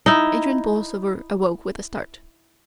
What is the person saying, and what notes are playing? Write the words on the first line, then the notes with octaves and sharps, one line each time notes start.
Adrian Borlsover awoke with a start.
D#4 E4